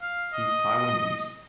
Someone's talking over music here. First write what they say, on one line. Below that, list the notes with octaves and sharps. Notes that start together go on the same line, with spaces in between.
He’s Taiwanese.
F5
D#5